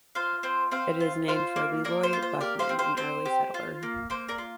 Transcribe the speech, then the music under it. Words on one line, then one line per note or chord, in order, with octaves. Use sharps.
It is named for Leroy Buffman, an early settler.
F4 C5 F5
C4 C5
C4 C5 F5
F4
F4 C5 F5
A#3
A#3 A#4 D5
C5
F4
C5
G4 A#4 D5
C5 F5
C4
C5 F5
C4 C5
G4
F4
A#3
A#3 C5
A#4 D5
F4